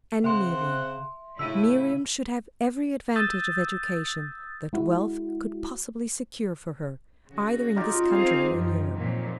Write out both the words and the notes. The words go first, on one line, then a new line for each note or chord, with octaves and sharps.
And Miriam--Miriam should have every advantage of education that wealth could possibly secure for her, either in this country or in Europe.
C#3 C4 E5 F#5 C6
A2 C#3 A3 E4 E6 D#7
D#6 E6 G6 A6
G#3 E4 F#4
C#3 F#4
D#4 F4 G4
C4 G#4 F5
F#2 E3 F3
F2 A#2 F#3